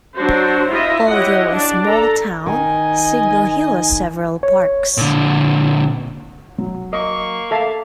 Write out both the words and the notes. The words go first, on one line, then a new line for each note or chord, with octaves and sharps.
Although a small town, Signal Hill has several parks.
F#3 D4 F#4 C5
E4 F4 D#5 E5
E4 G4 C#5 D#5 F#5
D4 D5
A4 A#5
D#3 D#5 G#5
C#5
A#2 D3
F#3
A#3 D#5 C#6
A4 E5 F5 A5